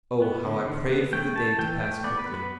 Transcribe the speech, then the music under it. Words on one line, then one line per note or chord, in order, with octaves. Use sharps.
Oh, how I prayed for the day to pass quickly!
B3
D3
D3
B3
A3 G5
A3 A5
E3 G5
A3 G5
B3 D5
B4
B3
B4